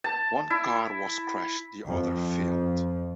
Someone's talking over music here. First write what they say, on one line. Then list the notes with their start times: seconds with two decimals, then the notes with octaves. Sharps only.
One car was crashed, the other failed.
0.04 A5
0.50 E4
1.86 F2